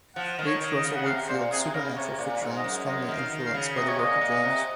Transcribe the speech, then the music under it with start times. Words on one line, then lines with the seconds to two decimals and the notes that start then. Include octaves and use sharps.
H. Russell Wakefield's supernatural fiction was strongly influenced by the work of James.
0.16 F3 F#5
0.39 D#3
0.46 C#5
0.61 D#3
0.76 D#5
0.84 C#3
0.96 F#5
1.06 C3 F5
1.29 A#2 C5
1.51 C3 G#4
1.74 C#3 A#4
1.96 C3 C#5
2.19 A#2
2.41 G#2
2.57 D#5
2.64 F#2
2.87 F#2 D#5
3.09 D#3
3.17 F5
3.32 D#3
3.46 F5
3.54 C#3
3.76 C3 D#5
3.88 C#5
3.99 A#2 D#5
4.21 A#2
4.44 C3